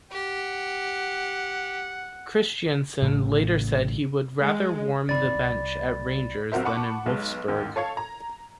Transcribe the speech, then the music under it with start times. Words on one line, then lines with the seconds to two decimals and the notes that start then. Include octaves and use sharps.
Christiansen later said he would rather warm the bench at Rangers, than in Wolfsburg.
0.11 G4 F#5
3.02 A1 A2 C#3
4.41 G#3
5.09 G1 D#3 C4 D5 B5 A6
5.36 C2
6.52 B1 C4 F#4 A#4 C5 E5
6.65 F#5 A5 B5 C#6 D6
7.06 B1 G#3 B4
7.47 A1 D#2 G#2
7.76 A4 C#5 F5 C#6 G#6
7.97 A#5